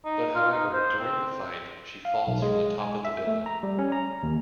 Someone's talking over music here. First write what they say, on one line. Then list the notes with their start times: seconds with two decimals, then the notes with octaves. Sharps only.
But however during the fight she falls from the top of the building.
0.05 D#4
0.35 F4
0.53 D#4
0.73 C5
0.99 C4
2.05 F5
2.27 B1
2.42 G#3
2.80 G#5
3.05 E5
3.27 A3
3.46 A#5
3.63 G3
3.79 C#4
3.92 A#5
4.23 D#2